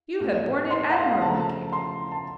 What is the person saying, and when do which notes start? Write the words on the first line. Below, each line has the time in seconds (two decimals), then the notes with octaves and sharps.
You have borne it admirably, Katy.
0.20 A2 A3
0.71 C6
0.84 A5
0.91 F#5
0.96 F5
1.09 F#5
1.21 C#3 F3 A3 A5
1.30 A#5
1.40 A5
1.73 C6
2.12 A5